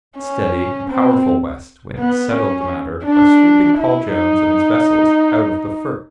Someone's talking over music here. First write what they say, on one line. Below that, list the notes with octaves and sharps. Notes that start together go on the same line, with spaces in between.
A steady and powerful west wind settled the matter by sweeping Paul Jones and his vessels out of the Firth.
C#4
C4
B3
C#4
D4
E4
D#4